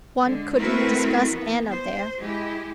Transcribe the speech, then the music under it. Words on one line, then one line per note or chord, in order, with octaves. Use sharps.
One couldn't discuss Anna there.
D3 G#3
A3 C4 E4 F#4 A#4 B4
E3 B3
C5
G#3 E4 G4